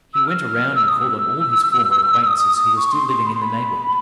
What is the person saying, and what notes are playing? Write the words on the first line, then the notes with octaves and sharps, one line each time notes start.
He went around and called on all his former acquaintances who were still living in the neighborhood.
E6
F6
E6
D#6
E6
D#6
C#6
C6
C6
B5
C6
B5